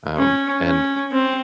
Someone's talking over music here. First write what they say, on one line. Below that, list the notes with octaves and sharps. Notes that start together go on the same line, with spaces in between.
um, and
C#4
C#4
C4